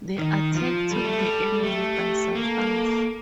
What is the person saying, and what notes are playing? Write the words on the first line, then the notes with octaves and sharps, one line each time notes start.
The attack took the enemy by surprise.
D#3
F3
G3 A4
A3
G3
A3 G4
A#3 A4